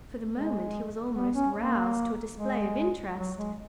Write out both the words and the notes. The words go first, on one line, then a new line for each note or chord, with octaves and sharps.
For the moment he was almost roused to a display of interest.
G#3
B3
C#4
A#3
G#3
F#3
G#3